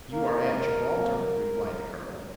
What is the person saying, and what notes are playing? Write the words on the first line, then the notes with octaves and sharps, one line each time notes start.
"You are at Gibraltar," replied the colonel.
A#3 A#4
G#2 D#3 A#3
C3 F#3 A#3